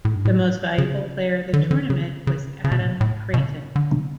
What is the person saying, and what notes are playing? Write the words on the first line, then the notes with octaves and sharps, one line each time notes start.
The Most Valuable Player of the Tournament was Adam Creighton.
A2
G2
A2
C#3
D3
E3
D3
C#3
C#3
C#3
B2
A2
B2
A2
B2
C#3
D3